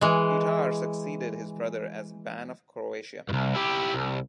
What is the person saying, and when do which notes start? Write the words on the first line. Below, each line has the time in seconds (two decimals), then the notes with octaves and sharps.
Petar succeeded his brother as Ban of Croatia.
0.01 E3 G#3
3.29 C2 G2
3.55 E4 G4
3.95 C2